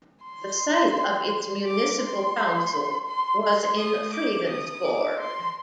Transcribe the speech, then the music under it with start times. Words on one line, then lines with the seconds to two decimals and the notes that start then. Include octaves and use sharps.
The site of its municipal council was in Fredensborg.
0.24 C6
1.66 D6
2.02 C6
3.07 C6
3.42 C6
3.78 D#6
4.14 D6
4.49 D#6
4.84 D6
5.19 C6